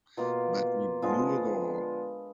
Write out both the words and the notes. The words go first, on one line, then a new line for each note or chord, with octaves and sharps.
But we blew it all.
B2 A#3 F4
D3 F3 G#3 B3 F4